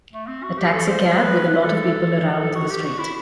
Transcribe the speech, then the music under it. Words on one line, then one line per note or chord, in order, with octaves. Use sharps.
A taxi cab with a lot of people around the street.
A3
C4
F#4
G4
A4
C5
B4
B4
A4
A4
F#4
G4
F#4
E4